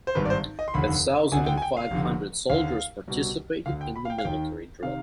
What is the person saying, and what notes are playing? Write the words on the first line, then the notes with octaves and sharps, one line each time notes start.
A thousand and five hundred soldiers participated in the military drill.
C5
G#1 G2 D#3 B4
D5
C5
D#5
C6
F1 D#2 D3 B5
D2 D3 G#5
G5
G#5
G5
F5
F1 F2 D3
D#2 D3 F5
C2 B2
D2 D3 F5
G5
B5
F5
G5
F5
D#2 D#3 G5
C3 D#3 F5